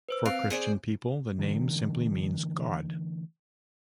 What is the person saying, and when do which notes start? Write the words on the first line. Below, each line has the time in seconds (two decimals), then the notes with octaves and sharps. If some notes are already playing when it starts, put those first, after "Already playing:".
For Christian people, the name simply means "God".
0.09 B4 C5 E6
0.25 C4 F5 F#6 D7
0.50 G#4 C5 D5
1.38 D3 E3 A3